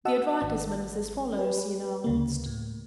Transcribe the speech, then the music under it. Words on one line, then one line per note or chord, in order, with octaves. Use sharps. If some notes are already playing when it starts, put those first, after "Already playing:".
"The advertisement is as follows," he announced.
F#4 D#5 F#5 A5 E6
G#1
G4 B4
D2 C#3 A#3
A2